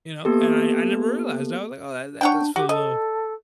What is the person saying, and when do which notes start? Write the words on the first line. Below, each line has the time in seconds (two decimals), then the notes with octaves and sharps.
You know? And I I never realized. I was like, "Oh, that does feel a li'l
0.25 A#3 B3 G4 A4
2.21 D4 C#5 F#5 G5
2.56 F#4 G4
2.69 A4 D#5